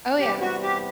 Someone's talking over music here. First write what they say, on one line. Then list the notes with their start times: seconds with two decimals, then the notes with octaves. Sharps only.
Oh yeah.
0.19 E2 C3 G3 B3 G4
0.41 F#4
0.63 G4